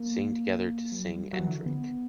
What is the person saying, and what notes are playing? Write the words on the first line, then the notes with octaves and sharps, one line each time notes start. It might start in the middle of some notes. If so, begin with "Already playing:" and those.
Sing together to sing and drink.
Already playing: A#3
F#3
G3
F#3
E3
D3
B3